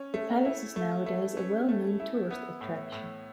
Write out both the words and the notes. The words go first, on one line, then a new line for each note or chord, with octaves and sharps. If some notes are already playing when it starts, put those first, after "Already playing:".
The palace is nowadays a well known tourist attraction.
Already playing: C#4
A3
E4
A3
A3
C#4
A3
E4
B3
A2
A2